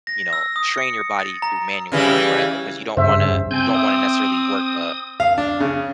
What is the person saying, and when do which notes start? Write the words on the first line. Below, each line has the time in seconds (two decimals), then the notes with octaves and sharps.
you know, strain your body through manual labor, right, because you don't wanna you don't wanna necessarily work a
0.07 A#6
0.33 E6
0.56 D#6
0.78 C#7
1.19 A6
1.42 A#5
1.92 C#3 E3 G3
2.97 G2 C#3 C5 E5
3.51 C4 G#5 G6
3.75 E5 D#6
5.20 F5
5.38 D4
5.60 C#3